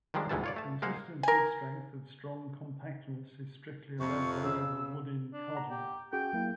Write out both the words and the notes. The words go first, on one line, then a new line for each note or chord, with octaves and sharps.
The consistency strength of strong compactness is strictly above that of a Woodin cardinal.
D#3 F3 G3 G#3 D4
D2 G#2 C3 E3 G3 A5
F4 C#5 D5
A3 A5
G#3 A#3 C5 F5 F#5
A#4 G#5
F2 C3 C#6
C#3 E6
D4
F#5 A#5
G4
C#4 F#4 G#4 G5
F#3 A#3 E4